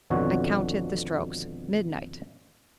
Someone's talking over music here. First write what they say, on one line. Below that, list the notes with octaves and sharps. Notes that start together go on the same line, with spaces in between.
I counted the strokes--midnight!
G#1 F2 B2 D3 F#4 C#5